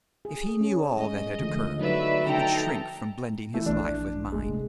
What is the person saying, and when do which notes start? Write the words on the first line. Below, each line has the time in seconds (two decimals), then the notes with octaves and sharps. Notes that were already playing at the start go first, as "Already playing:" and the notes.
'If he knew all that had occurred he would shrink from blending his life with mine.'
0.25 G#4
0.61 C#4
0.97 G#3 D#5
1.40 D3 F3 A3
1.80 F#3 D#4 F#4 B4 D5 E5
2.28 D#4 A4 E5 G5 A#5
3.54 E3 A3
3.66 A#1 E3 D4
4.32 D#1 G#1 G#3 A3
4.48 C3